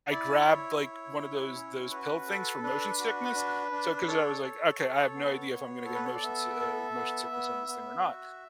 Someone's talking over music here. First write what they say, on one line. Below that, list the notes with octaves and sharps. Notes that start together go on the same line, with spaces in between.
I grabbed, like, one of those those pill things for motion sickness, so 'cause I was like, "Okay, I have no idea if I'm gonna get motion si oh, motion sickness on this thing, or not."
E4 D5
E4 C#5
E4
E4
C#4
F#4 B4
A4
D4 B4
F#4
D4
D4
B4
A4 C#5
A4
A4
B3
B3
A4
B4
C#5
D5
B3 E5
A4
B3
B3
B3
F#4